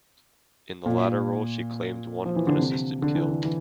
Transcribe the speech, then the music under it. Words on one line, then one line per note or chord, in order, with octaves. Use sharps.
In the latter role, she claimed one unassisted kill.
A#2
F3
E3
D3
C3
D3
E3
D3
E3